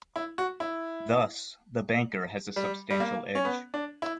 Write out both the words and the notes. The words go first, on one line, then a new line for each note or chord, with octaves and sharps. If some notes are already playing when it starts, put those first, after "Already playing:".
Thus, the banker has a substantial edge.
E4
F#4
E4
G3
G3
A#3
C#4
B3
D4
E4